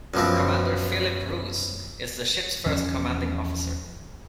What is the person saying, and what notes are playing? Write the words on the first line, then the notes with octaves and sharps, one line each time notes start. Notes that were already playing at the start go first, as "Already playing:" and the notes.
Commander Philip Roos is the ship's first commanding officer.
F#2 B2 F3 C4
E2 F3 C#4